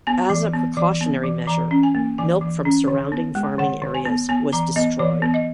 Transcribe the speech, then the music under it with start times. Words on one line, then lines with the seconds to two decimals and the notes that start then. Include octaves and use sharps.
As a precautionary measure, milk from surrounding farming areas was destroyed.
0.07 B3 G#5
0.30 E3
0.54 B3
0.77 E3
1.01 B3
1.24 E3
1.47 E3 A#5
1.71 C#4
1.83 G#5
1.95 A#3
2.18 E3 G#5
2.41 E3
2.65 C#4
2.88 D#3
3.12 B3
3.35 G#3
3.58 D#3 F#5
3.82 D#3
3.94 G#5
4.05 B3
4.29 B3 G#5
4.53 E3 A#5
4.76 B3 D#5
4.99 E3 C#5
5.22 B3
5.34 D#5